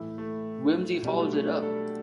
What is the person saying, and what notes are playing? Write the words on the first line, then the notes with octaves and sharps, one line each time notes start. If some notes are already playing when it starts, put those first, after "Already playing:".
Wimsey follows it up.
Already playing: A2 E3 E4
A3
B2 F#3 G3
A3
A3
D4
A4